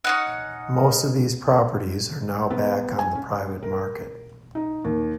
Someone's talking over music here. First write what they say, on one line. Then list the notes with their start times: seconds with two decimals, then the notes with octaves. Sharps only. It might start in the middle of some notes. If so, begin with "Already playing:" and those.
Most of these properties are now back on the private market.
0.04 C#4 D#4 F#5
2.50 B3
2.99 G#5
3.15 C#4
3.63 A#4
4.55 D#4
4.85 D#2